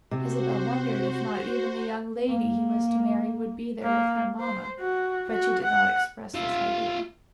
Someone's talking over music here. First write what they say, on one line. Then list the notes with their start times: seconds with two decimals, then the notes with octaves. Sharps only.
Isabel wondered if not even the young lady he was to marry would be there with her mamma; but she did not express this idea.
0.11 C3 F#4 C5
2.29 A#3
3.83 A#3
4.40 C5
4.80 F#4
5.30 F#4
5.64 F#5
6.34 F4 E5